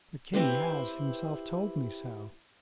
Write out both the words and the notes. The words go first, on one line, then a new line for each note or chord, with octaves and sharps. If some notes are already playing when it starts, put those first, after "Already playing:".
"The king has himself told me so."
C4 E4 G4 B4 C5